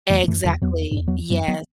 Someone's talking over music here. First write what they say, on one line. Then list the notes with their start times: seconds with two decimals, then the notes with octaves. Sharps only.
Exactly, yeah.
0.10 E2 E3 A3
0.23 B3
0.28 F#2 E3 A3
0.45 E2 D3 F#3
0.62 E2 F#3 B3
0.91 F#2
0.97 E2
1.08 F#3 B3
1.30 F#2 F#3 B3
1.48 F#3 B3